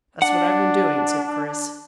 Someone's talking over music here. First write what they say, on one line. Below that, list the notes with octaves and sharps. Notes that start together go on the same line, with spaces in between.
"That's what I've been doing," said Chris.
D4 F#5